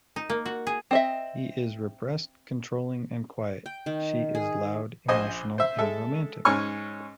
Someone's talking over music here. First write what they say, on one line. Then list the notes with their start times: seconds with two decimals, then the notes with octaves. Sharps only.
He is repressed, controlling, and quiet; she is loud, emotional, and romantic.
0.16 D#4
0.30 A#3
0.46 F#4
0.67 G#4
0.91 C4 D#5 E5
3.66 G5
3.86 D#3
4.35 G#4
5.08 A#1 C5 D#5 G#5
5.58 C5 E5
5.79 G#3 A4 E5
6.45 G#2 C#4 G#5 C#6 F6